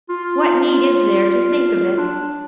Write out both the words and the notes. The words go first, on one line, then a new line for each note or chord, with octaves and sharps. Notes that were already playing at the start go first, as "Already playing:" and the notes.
What need is there to think of it?
F4
D4